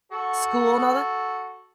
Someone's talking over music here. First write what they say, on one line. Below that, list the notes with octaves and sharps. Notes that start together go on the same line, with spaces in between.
school and all that
F#4 A4